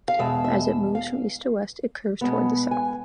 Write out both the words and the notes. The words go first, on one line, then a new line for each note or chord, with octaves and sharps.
As it moves from east to west, it curves towards the south.
F5
E2 B2 G#3 E5
E5
F5
B2 G#3 B3
G#5